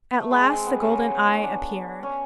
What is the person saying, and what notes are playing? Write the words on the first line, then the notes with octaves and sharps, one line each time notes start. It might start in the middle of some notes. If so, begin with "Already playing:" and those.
At last the golden Eye appeared.
A3
G#3
G#3
C4
B3
C#4
D#4
D4
C#4